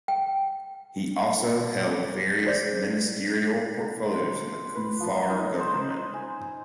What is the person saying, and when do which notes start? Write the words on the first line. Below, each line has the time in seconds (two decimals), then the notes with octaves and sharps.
He also held various ministerial portfolios in the Kufuor government.
0.08 G5
2.45 G#4 C5 D5 G6
4.05 C5
4.75 B4
5.00 F3
5.29 D#4
5.59 C5
6.14 G#5